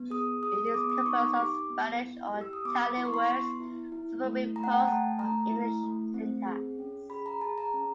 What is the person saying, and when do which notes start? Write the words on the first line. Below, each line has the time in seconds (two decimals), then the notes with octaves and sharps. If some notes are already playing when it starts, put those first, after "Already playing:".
It is composed of Spanish or Italian words superimposed on English syntax.
Already playing: B3
0.10 G#4 D#6
0.43 G#4 D#6
0.67 D#6
0.74 B3 D6
0.90 D#6
0.98 D6
1.06 D#4 C#6
1.38 G4 D6
1.70 B3
2.01 E4
2.34 G4
2.41 E6
2.53 D#6
2.65 B3 D6
2.97 E4 C6
3.05 C#6
3.14 C6
3.29 B3
3.60 E4
3.92 E4
4.24 A3
4.55 A3 A#5
4.64 F#5
4.72 G5
4.79 G#5
4.88 A3 A5
5.19 A3 A#5
5.51 E4
5.83 A3
6.14 C4
6.46 G#4
6.79 C#4
7.10 G#4 B5
7.26 A#5
7.41 G#4 A5
7.58 A#5
7.74 C#4